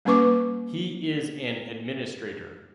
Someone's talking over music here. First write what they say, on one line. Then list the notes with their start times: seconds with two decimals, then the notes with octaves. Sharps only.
He is an administrator.
0.05 G3 A#3 C#4 B4 C#6 D6